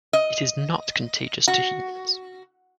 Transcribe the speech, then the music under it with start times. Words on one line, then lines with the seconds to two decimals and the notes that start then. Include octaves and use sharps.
It is not contagious to humans.
0.13 D#5
1.48 F#4